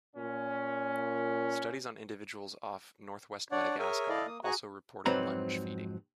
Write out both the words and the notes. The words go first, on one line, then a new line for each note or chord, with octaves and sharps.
Studies on individuals off northwest Madagascar also reported lunge feeding.
A#2 C#4
D4 C#5 D5 F#5
G#4 A#4 C#5 E5 G#5
E4 A4 D5 D#5 F5
A#3 D#6
F#4 G#4 G#5 A#5 C#6 F#6
F2 G#2 F#3 C4 B4 A#5